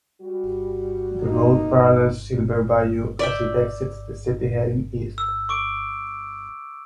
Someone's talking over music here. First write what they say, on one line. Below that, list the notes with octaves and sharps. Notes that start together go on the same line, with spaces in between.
The road parallels Silver Bayou as it exits the city heading east.
G3 F#4
A#3 D#4
D5 E5 G5
E6
C#6 D6 D7